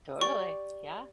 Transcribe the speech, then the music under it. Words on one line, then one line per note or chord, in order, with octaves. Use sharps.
Totally. Yeah.
G4 D5 C#6